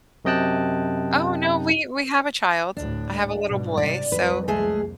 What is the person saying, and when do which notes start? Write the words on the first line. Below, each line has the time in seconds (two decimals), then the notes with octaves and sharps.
Oh, no, we we have a child. I have a little boy, so
0.25 F#2 C3 D#5 G5 A5 F#6
2.77 D2 A2 D4
3.48 G#2 B2 G3
3.78 C3 D5
4.12 C2 F2 B4
4.48 G#3 A3 G#4